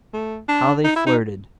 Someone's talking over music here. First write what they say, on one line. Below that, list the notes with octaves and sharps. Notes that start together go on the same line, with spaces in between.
How they flirted!
A3
D4
D#4
E4
D#4